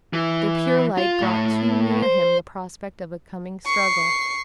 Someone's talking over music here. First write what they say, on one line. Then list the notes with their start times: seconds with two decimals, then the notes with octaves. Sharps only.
Their pure light brought too near him the prospect of a coming struggle.
0.13 E3
0.98 F4
1.21 A2
2.02 C5
3.66 C#6 C7